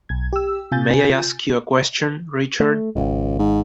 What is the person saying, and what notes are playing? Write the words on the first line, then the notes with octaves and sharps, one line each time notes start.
May I ask you a question, Richard?
B1 G#6
G4 E6
C3 F4 G#5 G6 A6
A3
D1 G#1 C#2
G#2